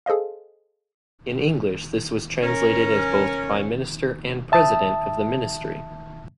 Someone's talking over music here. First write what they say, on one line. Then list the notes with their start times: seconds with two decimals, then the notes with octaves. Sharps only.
In English this was translated as both Prime Minister and President of the Ministry.
0.06 G#4 A4 C5 D#5 F5
2.43 C#4 A#4
4.52 E5 A5 D#6